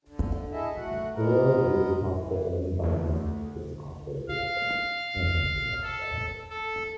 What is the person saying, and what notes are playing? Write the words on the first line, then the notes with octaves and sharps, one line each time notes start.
The road is passable only by the most extreme off-road vehicles and adventure motorcycles.
D3
E4 G#4 A4 D#5 E5
A3 F#4 F#5
G#3 B3 A#4
E3
D2
F5
A4
A4